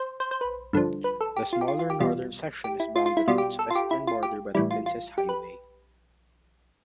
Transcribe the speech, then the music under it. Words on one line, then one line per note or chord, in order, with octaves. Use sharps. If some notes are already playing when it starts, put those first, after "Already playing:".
The smaller northern section is bounded on its western border by the Princes Highway.
Already playing: C5
C5
C5
B4
G2 D3 F3
B4
A4
G4
F4
G4
F4
F4
G4
E2 B2 G3 F4
G4
E4
F4
F4
E4
B2 G3 F4
G4
A4
F4
G4
E4
F4
G4
A2 E3 G3 E4
F4
F4
G4
B4